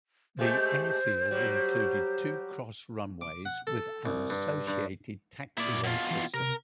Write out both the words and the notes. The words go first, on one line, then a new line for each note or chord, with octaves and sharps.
The airfield included two x runways with an associated taxiway system.
G#3 A3 G4 C5
F#3 G3
D6
F#5
A4
C2
G2
G2
A#2 E4 D5
B2 F4
E3
C3 A#4